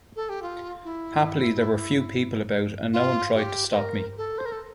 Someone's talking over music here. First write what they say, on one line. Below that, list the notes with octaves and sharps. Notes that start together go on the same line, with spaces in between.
Happily there were few people about and no one tried to stop me.
A4
G4
F4
E4
F4
G4
C5
A#4
A4
C5
A#4
A4